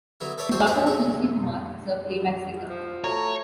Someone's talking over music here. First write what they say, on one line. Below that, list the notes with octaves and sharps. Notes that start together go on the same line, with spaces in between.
His daughter Tulsi Kumar is a playback singer.
D3 F#3 B3 E4
A4 B4 C#5 D5 E5
C4 F#4 A4 C5 C#5
B3 D4 F4 C5 D#5 E5
F#3 G#3 A3 G#4
C2
F3
A3 F#4 C#5 A#5